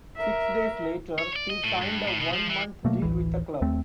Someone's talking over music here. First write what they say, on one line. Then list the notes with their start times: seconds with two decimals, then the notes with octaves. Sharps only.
Six days later, he signed a one-month deal with the club.
0.16 A#4 E5
1.18 C#5
1.36 D5
1.50 D#5
1.64 A2
1.82 G2
2.08 A2
2.20 B2
2.34 F3
2.50 E3
2.85 B2 F#3 A3 A#3
3.02 A1 D2 E3
3.62 D#2 A3 C4